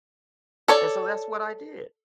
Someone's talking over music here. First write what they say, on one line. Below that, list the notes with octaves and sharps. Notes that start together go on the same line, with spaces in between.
and so that's what I did,
A4 C#5 D5